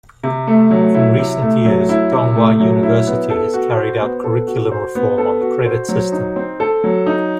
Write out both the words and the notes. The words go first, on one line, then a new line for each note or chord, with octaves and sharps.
In recent years Donghua University has carried out curriculum reform on the credit system.
C3
A3
F#3
E4
C3
A3
F#3
E4
C3
A3
F#3
E4
B3
A4
F#4
C5
B3
A4
F#4
C5
B3
A4
F#4
C5
F#3
D#4
C4
A4
F#3
D#4